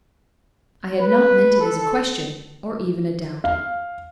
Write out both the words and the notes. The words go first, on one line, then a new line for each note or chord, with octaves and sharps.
I had not meant it as a question, or even a doubt.
B4
A4
F5